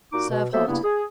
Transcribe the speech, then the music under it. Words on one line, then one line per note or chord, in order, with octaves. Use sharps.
Serve hot.
A#2 D#4 F#4 D6
B2
F#3 A#3 B3 A4 C5 E5
G2 C#3 A#3 B3 D4 E4
G#4